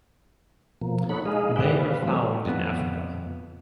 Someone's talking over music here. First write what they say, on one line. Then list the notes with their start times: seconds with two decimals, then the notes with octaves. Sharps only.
They are found in Africa.
0.81 B2 F3 A#3
1.09 D#4 A4 C#5 F#5 B5
1.25 G#3 D#4 G#4 D#5 F5
1.56 G#4 B4 D5 E5 F#5 G5
1.77 B4 F5
2.03 E3 F#3 G3 A3 C4
2.45 F2 B3